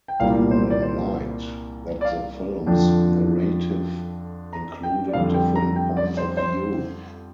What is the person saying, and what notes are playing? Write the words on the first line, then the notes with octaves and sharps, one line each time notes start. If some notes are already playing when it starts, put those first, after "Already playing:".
Newman liked that the film's narrative included different points of view.
G5
C2 A#2 G3 A#3 F5
C5
D5
C5
D5
F5
F2 D3 F3 D4 G5
A#5
G5
D5
F2 D3 G3 C4 F5
G5
A#5
G5
D5
C5
C5